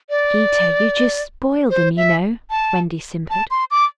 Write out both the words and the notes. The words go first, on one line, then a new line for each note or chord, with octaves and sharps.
'Peter, you just spoil them, you know,' Wendy simpered.
D5
C5
E5
A5
A5
C6
D6